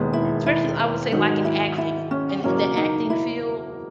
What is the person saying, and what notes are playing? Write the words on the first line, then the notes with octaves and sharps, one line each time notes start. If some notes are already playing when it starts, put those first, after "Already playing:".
especially I would say, like, in acting, and the acting field
Already playing: E1 D#2 D#3 G#3 B3
E4
E4
E4
G#2 D#3 F#3 D#4
E4
E4
C#4
F#1 E2 B2 F#3 A#3 C#4
D#4
E4